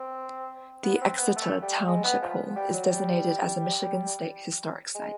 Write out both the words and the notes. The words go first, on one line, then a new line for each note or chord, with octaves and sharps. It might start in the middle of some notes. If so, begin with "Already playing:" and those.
The Exeter Township Hall is designated as a Michigan State Historic Site.
Already playing: C4
B3
B3
C4
B3
A3
G3
G#3
B3
F3
G3
F#3
G3
G#3